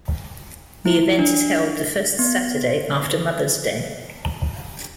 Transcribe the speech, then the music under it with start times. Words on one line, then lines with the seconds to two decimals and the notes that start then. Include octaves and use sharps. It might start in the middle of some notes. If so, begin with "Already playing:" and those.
The event is held the first Saturday after Mother's Day.
0.86 E4
1.19 D4
2.19 B3